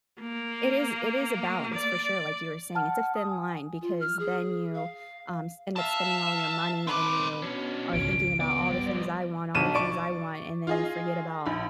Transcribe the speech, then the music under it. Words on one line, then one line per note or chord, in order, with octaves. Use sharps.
it is it is a balance for sure, like you were saying. It's a thin line because then you, um, s end up spending all your money and you are thinking about "all the things I want, all the things I want," and then you forget about
A#3
D5
F#5 A5 F6
D#6
G#5
F4
F6
G#4
F5
E5 F5 A5
C4 B4 D6
B2 C#4 D4
G#1 C#2 D7
C2 B3 D5
G3
B1 D3 D#7 E7
D5 C#6 D7
F4 G#4 D#5
A#1 B5